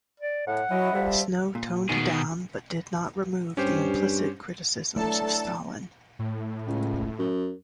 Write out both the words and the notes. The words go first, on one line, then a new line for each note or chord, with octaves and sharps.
Snow toned down but did not remove the implicit criticisms of Stalin.
D5
A2 F#5
F#3 C#4 E4 D#5
D2 F3 G3 E5
A#2
B2 D#3 G#4
G2 C#4 G4 C5
E3 F#3 A3 D4 A4 A5
A2
C#2
F#2